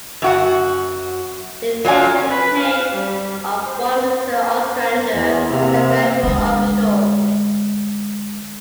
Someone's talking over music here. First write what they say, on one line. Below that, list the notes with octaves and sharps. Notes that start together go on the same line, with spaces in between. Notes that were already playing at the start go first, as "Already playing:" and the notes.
The village has the name of one Mr. Ostrander, a railroad official.
F#2 F#4 F#5
F#3 F4 D5 G#5
B4
F5
G3
C5
E2
C3 A#3 E5 F5
D3 G#3